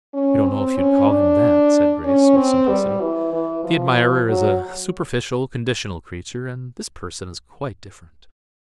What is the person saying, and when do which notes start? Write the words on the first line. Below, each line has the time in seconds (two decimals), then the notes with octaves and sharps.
"I don't know if you would call him that," said Grace, with simplicity. "The admirer is a superficial, conditional creature, and this person is quite different."
0.13 C#4
0.45 C4
0.77 C#4
1.09 D4
2.05 C#4
2.36 C4
2.68 G3
3.00 E3
3.33 E3
3.64 F3
4.28 F#3